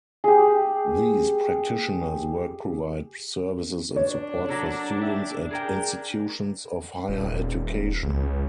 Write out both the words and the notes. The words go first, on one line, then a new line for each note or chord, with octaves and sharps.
These practitioners work provide services and support for students at institutions of higher education.
G4 G#4
D4 C#5
F#3 A#3 A4
G4 E5
G#4 A#4 G5
D#1
C#2